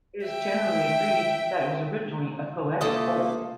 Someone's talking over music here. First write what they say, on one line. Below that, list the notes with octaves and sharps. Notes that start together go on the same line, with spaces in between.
It is generally agreed that it was originally a poetic whole.
E5 G5
C3 A3 A#3 F4 A4 D#5 D6 D#6